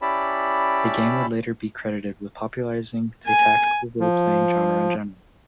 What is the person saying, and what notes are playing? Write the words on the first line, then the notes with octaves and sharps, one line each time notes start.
The game would later be credited with popularizing the tactical role-playing genre in general.
C#4 E4 G4 D5 A5 B5
G#5
F3